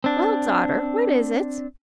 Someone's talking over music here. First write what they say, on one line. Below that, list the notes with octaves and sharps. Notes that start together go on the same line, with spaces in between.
"Well, daughter, what is it?"
C4 D4